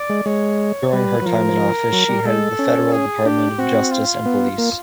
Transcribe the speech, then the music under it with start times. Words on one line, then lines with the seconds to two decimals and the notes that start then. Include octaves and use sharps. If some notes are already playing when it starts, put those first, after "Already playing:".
During her time in office she headed the Federal Department of Justice and Police.
Already playing: D5
0.10 G#3
0.26 G#3 C#5
0.92 G3 B4
1.22 F#3
1.26 F3 A#4
1.92 F#3
2.09 G3
2.25 G#3 A4
2.59 C#4
2.92 G#4
3.25 D4 G4
3.59 C4 F#4
3.91 F4
4.25 B3
4.58 A#3